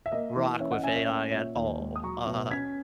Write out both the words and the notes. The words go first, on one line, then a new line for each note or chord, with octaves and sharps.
rock with AI at all. Uh,
E5
A#3 D#5
E3
C#4 C#5 E5
D#5 F#5
C#4 E5 G#5
C#5 E5
A#3 C#5 E5
A#2 C#5 E5
D#2
G#3
D#6
F#3 A#5 C#6
B2
C#4 G#6 B6